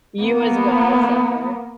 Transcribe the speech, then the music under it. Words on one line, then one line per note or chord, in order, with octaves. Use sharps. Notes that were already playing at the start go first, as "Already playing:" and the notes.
You as well will suffer.
A#3 B3